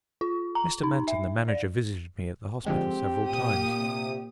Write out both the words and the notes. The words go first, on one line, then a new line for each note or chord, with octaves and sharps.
Mr. Manton, the manager, visited me at the hospital several times.
F4
A#5
D#4
E5
D5
D3 F3 G#3 C4 G4
A#2 D#6
C3